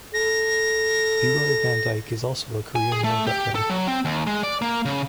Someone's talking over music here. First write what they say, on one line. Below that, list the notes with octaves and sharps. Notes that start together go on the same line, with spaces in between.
Leroy Van Dyke is also a Korean War veteran.
A4 A#6
G#5
G#4
A3
G4
A4
F#3
C4
D#2
G#3
D5
A#3
C#3